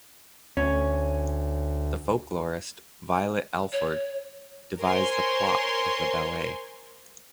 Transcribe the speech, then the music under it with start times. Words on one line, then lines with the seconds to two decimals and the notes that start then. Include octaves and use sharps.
The folklorist Violet Alford devised the plot of the ballet.
0.57 D2 C#4
3.72 C#5
4.79 A#4 C5 C#5 G#5 C6